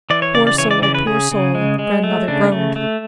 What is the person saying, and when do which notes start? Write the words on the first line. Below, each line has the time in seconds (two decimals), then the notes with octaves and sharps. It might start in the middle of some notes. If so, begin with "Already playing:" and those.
"Poor soul, poor soul!" grandmother groaned.
0.10 E3 D5
0.22 C#5
0.34 C#3 D5
0.47 D5
0.58 E3 C#5
0.71 D5
0.82 C#3 D5
0.94 B4
1.06 C#3 G#4
1.31 C#3
1.55 G#3
1.79 G#3
2.04 A3
2.28 C#3 D4
2.52 A3
2.76 A3